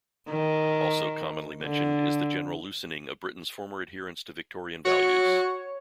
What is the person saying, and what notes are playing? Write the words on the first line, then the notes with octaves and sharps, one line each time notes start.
Also commonly mentioned is the general loosening of Britain's former adherence to Victorian values.
D#3
D3
F#4 C#5